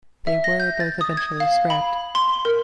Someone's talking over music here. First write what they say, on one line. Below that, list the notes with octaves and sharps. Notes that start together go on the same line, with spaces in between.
They were both eventually scrapped.
E5
A#6
G6
A6
D#6
G#6
F5
B5
C6
A#4